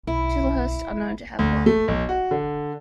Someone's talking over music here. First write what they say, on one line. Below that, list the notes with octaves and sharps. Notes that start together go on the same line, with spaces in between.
Chislehurst are known to have won.
B1 E4
D2
A3
B1
F#4
D3